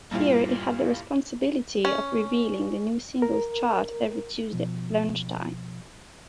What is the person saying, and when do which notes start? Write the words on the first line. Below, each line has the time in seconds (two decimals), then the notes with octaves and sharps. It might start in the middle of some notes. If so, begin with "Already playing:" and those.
Here he had the responsibility of revealing the new singles chart every Tuesday lunchtime.
0.11 G2 A#2 G3 E4 F4
1.85 C#4
3.22 A#4
4.53 B2 F3